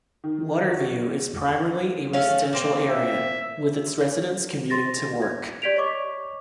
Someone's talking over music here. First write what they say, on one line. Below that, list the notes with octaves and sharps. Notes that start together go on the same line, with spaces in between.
Waterview is primarily a residential area, with its residents commuting to work.
D#3
F#4
A3 C#4 F5
A#3 C4
E5
C6 A6 A#6
G#6
G4 D5 G#6 B6 D7 F7
C#5 D#5 C#6 D6